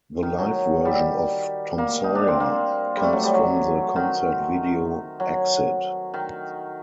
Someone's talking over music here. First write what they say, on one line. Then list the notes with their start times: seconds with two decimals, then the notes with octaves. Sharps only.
The live version of "Tom Sawyer" comes from the concert video Exit...
0.23 D#3
0.39 F#3
0.85 G3
1.78 A#3
2.04 D#4
2.15 D4
2.28 C4
2.40 A#3
2.96 G3
3.03 A3
3.13 F#3
3.24 G3
3.34 F#3
3.96 D#3
5.20 F#3
6.14 D#3